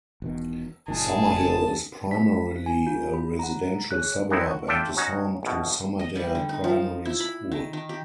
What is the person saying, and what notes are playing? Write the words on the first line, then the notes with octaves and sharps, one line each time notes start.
Summerhill is primarily a residential suburb and is home to Summerdale Primary School.
E1 B2 D#3
F#1 A#2 D#3 G#4 A5
B6
G#5
F4
B5
F#5 A#5
G#4 C#5 F#6
E3 B3 C4 D#4 E4
F#4
D4 F4 A4 E5 G5
C#4 D#4 F#4 C#5
A#1 B2
D#5
G3
D3
D#4
F3
E4
B5
D#3
D#3
G4